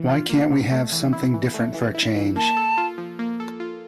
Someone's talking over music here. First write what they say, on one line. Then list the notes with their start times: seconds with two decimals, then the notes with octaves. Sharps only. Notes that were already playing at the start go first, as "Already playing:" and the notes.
Why can't we have something different for a change?
Already playing: E3 A#3
0.09 F4
0.30 A#3
0.50 C3
0.72 A3
0.92 E3
1.13 E4
1.34 E3
1.54 A3
1.75 E3
1.95 E4
2.16 E3
2.36 A#3 A5
2.57 A4
2.78 F4
2.98 F3
3.19 A#3
3.40 A4
3.60 F4